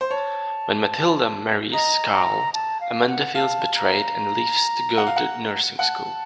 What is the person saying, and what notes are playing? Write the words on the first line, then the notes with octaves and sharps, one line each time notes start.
When Mathilda marries Carl, Amanda feels betrayed and leaves to go to nursing school.
C5
C#5 A5
D#5 A#5
A#5
A5
F5
F#5
F5 A5
A#5
F#5
F5
F#5
F#5 A5